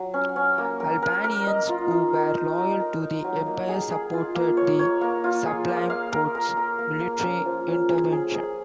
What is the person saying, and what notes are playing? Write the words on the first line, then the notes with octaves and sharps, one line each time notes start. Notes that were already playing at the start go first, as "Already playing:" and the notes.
Albanians who were loyal to the empire supported the Sublime Porte's military intervention.
Already playing: F#3
C#4
C#4
A#3
A#4
A#4
A#4
D#5
F4
D#4
A#4
D#4
A#4
A#4
D#4
F#3
A#3
G#4
G#4
F4
A#3
C#5
C#5
A#3
F4
G#4
A#3
F5
A#4
A#4
A#4
A#3
A#3
C#4
F3
C#4
G#4
G#4
G#4